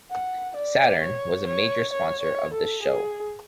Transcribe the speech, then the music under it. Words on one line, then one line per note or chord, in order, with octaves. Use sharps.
Saturn was a major sponsor of this show.
F#5
D5
C#5
C#5
C#5
C#5
A4
G#4